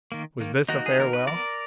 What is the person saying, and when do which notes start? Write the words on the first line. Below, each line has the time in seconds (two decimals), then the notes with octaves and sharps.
Was this a farewell?
0.12 D#3 A#3
0.40 D#3 A#3
0.69 D#3 A#3 D#4 F#4
0.86 G#4
0.99 D#3 A#3 A#4
1.13 B4
1.27 F3 B3 A#4 D5